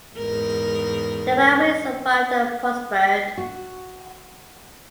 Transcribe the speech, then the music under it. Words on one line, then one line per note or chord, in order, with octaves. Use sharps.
The railway survived and prospered.
E2 G#2 A#4
F#4